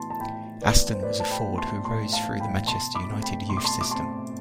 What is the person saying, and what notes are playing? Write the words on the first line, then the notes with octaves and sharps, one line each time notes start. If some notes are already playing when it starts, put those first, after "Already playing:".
Aston was a forward who rose through the Manchester United youth system.
Already playing: A2 E3 B3 A5 C6
A5
A2 G5 B5
E3 B3 B4 D5
C5
A2 B4 D5
A5
G5 B5
E3 B3
A5 C6
A2 A5 C6
F5 A5
E3 B3
G5 B5
B2 A5 C6
B5 D6
A3 C4
G5 B5
B2 C6
D6
A5 C6
D6
A3 C4 A5 C6